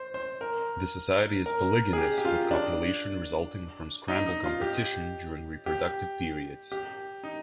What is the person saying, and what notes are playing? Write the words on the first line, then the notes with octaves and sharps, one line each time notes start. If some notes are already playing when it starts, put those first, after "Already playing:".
The society is polygynous with copulation resulting from scramble competition during reproductive periods.
Already playing: C5
C5
A#4
A#4
G#4
G4
G4
F4
D4
D#4
D#4
F4
G4
G4
G4
D#4